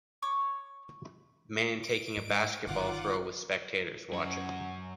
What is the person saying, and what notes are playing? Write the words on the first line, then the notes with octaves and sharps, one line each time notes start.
Man taking a basketball throw with spectators watching.
C#5 C#6 D6
D7
G#2
G1 A#2 D#3 F4 F#5 D6
F#2 F#4